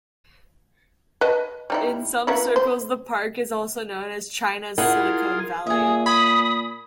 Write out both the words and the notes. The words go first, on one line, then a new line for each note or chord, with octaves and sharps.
In some circles the park is also known as China's Silicon Valley.
B4 D#5 A5
G3 D#4 E4
A#3 B3 E4
C5
E4 F4 G#4 A#4 F#5
A#2 G#4 E5 D#6
G#5 B5 D#6